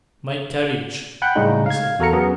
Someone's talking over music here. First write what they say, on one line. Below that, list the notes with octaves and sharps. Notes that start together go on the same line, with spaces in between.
"My carriage!" he said.
F#5 G5 B5 F#6 G6
A2 C#3 G3 G#3 C#4 D#4
F5 G#6
E2 F#4 A4 A#4 A#5 C#7
F#3 B3 C#4 G#4